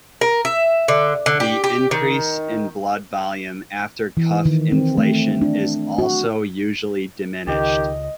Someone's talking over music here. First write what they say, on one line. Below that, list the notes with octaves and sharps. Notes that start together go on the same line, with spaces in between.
The increase in blood volume after cuff inflation is also usually diminished.
A#4
E5
D3
D3
G4
G4
D#3
E3
D#3
C4
A3
D4
F#4
C#2 D#3 G4 D#5